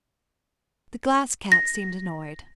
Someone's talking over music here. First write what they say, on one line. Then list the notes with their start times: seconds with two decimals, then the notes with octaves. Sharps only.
The Glass Cat seemed annoyed.
1.52 A#6